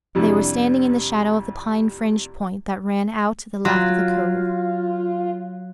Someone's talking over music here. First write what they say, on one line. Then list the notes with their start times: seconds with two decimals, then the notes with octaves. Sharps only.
They were standing in the shadow of the pine-fringed point that ran out to the left of the Cove.
0.15 F2 C3 G3 D4 E4
3.65 F#3 F4